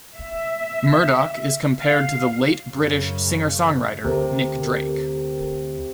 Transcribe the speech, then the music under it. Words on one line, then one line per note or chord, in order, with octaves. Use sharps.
Murdoch is compared to the late British singer-songwriter Nick Drake.
E5
F5
F#2 C#3
D2 C3 G4 A4 A#4